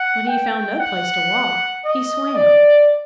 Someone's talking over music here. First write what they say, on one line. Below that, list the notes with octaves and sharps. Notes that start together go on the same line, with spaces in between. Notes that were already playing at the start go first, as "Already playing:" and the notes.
When he found no place to walk, he swam.
Already playing: F#5
G5
F#5
D#5
D5